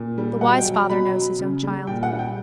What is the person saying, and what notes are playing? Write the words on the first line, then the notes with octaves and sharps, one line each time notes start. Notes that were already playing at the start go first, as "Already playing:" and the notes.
The wise father knows his own child.
Already playing: A#2
G3
B2 F#5
G5
F#3
A#5
B2 B5
F#3
C#3
G3
A#2 G5
F#5
G3
G5